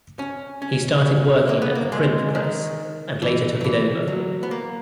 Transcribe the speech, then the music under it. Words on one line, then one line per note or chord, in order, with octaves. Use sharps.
He started working at the print press and later took it over.
C#4
C#4
A#3
B3
A#3
G#3
D#3
E3
F#3
E3
F#3
B3
A#3